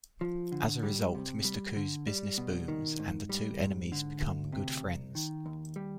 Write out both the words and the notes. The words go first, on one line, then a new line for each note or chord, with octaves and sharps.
As a result, Mr. Khoo's business booms, and the two enemies become good friends.
F3
D3
G3
C3
G3
D3
G3
B2
D#3
G#2
G3
G#2
D3
D2
C3
C2
D#3
D#2
G3